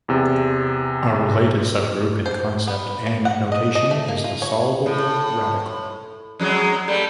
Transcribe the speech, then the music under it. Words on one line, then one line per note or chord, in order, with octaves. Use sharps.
A related subgroup in concept and notation is the solvable radical.
E2 C3
C5
B3
A#3
F#5
D#5
D#5
A3
A#3
F4
C#5
A2
F2 F#3 G#3
G3 A3